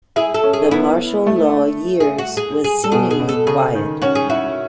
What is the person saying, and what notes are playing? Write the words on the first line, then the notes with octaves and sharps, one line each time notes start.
The Martial Law Years was seemingly quiet.
E4 G#4
A4
C#4
G#4
B3 E4
A3
G#4
F#4
G#4
G#4
A4
B2 G#4
G#4
B2
A4
C#3 G#4
D#3
C#4 F#4
G#4
E4 F#4